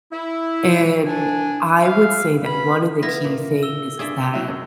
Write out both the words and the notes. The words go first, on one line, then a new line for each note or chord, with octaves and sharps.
and I would say that one of the key things that
E4
C2 D4 G#5
E5 F5
B3 C#4 B5
B3 E4 F4 A#6
A#2
E6 G7
G2 G#4 D5 E5
F#3 E4
F#2